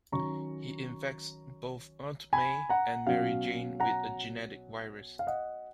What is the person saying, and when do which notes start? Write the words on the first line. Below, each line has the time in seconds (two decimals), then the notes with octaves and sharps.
He infects both Aunt May and Mary Jane with a genetic virus.
0.12 D#3 F#3 C#4 A#5 C#6
2.33 G#5 B5
2.70 F#5 A#5
3.07 B2 F#3 C#4 F5
3.80 F#5 A#5
5.19 F5
5.27 D#5 F#5